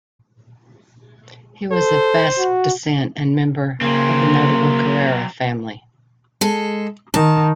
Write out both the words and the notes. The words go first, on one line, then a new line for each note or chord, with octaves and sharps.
He was of Basque descent and member of the notable Carrera family.
A4 C5
F#4
C#3 F#3 A#3 C4 C6
G#3 A4
D#3 A5